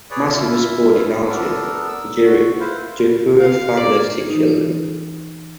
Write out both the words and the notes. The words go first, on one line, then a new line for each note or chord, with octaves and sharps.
Massi was born in Algiers, Algeria to a poor family of six children.
G#4 B4 C#5 D5
E4 F4 E5
B3 D4 A4 A#4
E6
F#4
E4 B4 C5 F5
F5
D5
E3 D#4